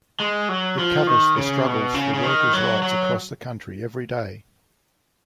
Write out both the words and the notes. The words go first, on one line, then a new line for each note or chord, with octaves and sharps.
It covers the struggles for workers' rights across the country every day.
G#3
F#3
F3
D#3
C#3
B2
C#3
C#3
D#3
F#3
F#3